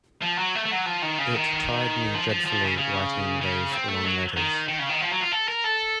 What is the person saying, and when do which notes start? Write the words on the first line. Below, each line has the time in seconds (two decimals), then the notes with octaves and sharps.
It tired me dreadfully writing those long letters.
0.22 F3
0.38 F#3
0.55 A3
0.66 A3
0.71 F#3
0.86 F3
1.02 D#3
1.18 C#3
1.34 D#3
2.14 F3
2.29 F3
2.46 F3
2.62 C#3
2.78 C#3
3.41 C#3
3.73 C4
3.89 A3
4.05 F#3
4.37 D#3
4.68 D#3
4.79 C#3
4.89 D#3
5.01 F3
5.11 F#3
5.21 F4
5.32 A4
5.48 A#4
5.64 A4